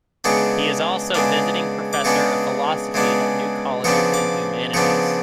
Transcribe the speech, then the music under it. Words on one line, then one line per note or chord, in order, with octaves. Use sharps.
He is also Visiting Professor of Philosophy at New College of the Humanities.
C#3 G#3 B3 D4 C#6
C#3 G#3 B3 D4
D6
C#3 G#3 B3 D4 C#6
C#3 G#3 B3 D4
C#3 F3 B3 D4 C#6
D6
C#3 F3 B3 D4 C#6